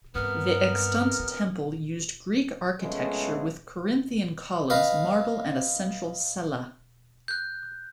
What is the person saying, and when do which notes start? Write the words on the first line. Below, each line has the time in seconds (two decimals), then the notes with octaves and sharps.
The extant temple used Greek architecture with Corinthian columns, marble, and a central cella.
0.15 G2 C3 B3 A#4 F6
1.19 D4
2.82 C#3 F3 G#3 A3 B3
4.70 B4 D#5 F5
7.28 F#6 G6